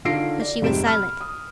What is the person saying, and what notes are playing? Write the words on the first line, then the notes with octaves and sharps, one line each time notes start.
But she was silent.
D3 D#3 F4 A#6 C7 D7
D5
F1 G#2 C3 G3 D7 E7
B5 F6
D#6